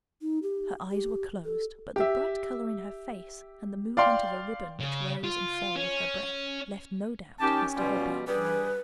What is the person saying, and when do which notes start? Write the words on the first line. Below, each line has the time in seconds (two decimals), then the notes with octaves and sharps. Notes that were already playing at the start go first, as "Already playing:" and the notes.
Her eyes were closed, but the bright colour in her face, and the movement of a ribbon, which rose and fell with her breath, left no doubt as to her being alive.
0.22 D#4
0.43 G4
0.91 G4
1.45 A4
1.96 G4 E5
3.97 D5 F5 G5 C6
4.80 C#3
5.24 F4
5.76 C#4
7.40 D#3 C#4 G4 A5
7.77 B2 G3 F4
8.27 G2 G3 G#4 B4